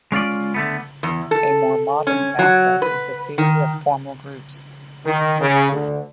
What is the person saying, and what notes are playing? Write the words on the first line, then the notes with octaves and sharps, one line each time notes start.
A more modern aspect is the theory of formal groups.
G#3 C#4 F4 D5
D3 A3 B3
E2
A4
C#4
F#3
B4
D#3
D#3
C#3
D2